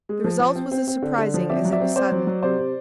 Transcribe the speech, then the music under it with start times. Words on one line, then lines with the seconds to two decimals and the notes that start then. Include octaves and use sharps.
The result was as surprising as it was sudden.
0.09 G#3
0.24 F3
0.40 F3
0.55 C4
0.72 C4
0.88 C4
1.02 D3
1.18 D3
1.34 F3
1.49 C4 D5 E5
1.65 F#3
1.72 D5 E5
1.80 C4
1.96 C4 C5 D5
2.12 F#3
2.27 F#3
2.43 C3 C5 D5
2.59 C3